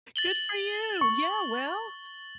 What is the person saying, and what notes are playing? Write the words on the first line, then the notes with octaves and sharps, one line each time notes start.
Good for you. Yeah, well.
A6 F#7 G7
C#6